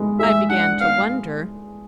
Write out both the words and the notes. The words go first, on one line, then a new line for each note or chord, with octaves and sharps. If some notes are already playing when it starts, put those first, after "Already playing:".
"I began to wonder."
Already playing: G#3 B3
G#3 E5
D4 F#5
B3 F5